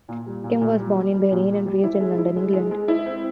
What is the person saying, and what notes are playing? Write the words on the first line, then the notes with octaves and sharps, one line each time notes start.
Kim was born in Bahrain and raised in London, England.
A#2
G3
A#2
A#2
G3
G3
G3
A#2
G3
G3
E4
G#3
E4
G#3
G#3
G#3
E4
C4